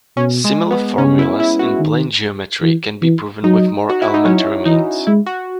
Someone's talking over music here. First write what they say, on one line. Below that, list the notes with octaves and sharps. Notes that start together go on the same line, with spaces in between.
Similar formulas in plane geometry can be proven with more elementary means.
B2 C#4
G#3
B3
C#3 C#4
E4
E4
F#4
D#3
E3
E3
F#3 D#4
F#4
E4
D#4
F#3 C#4
E3 D#4
G#3 E4
F#4